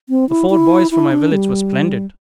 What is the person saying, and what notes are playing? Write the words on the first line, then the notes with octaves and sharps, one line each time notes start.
The four boys from my village were splendid.
C4
E4
E4
E4
D4
G3